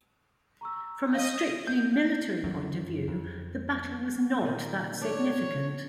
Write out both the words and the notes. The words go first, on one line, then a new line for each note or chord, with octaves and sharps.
From a strictly military point of view, the battle was not that significant.
A#5 C#6 E6
D#5 F5
G6
F#2
F2
A#2 D#3
D4 C#5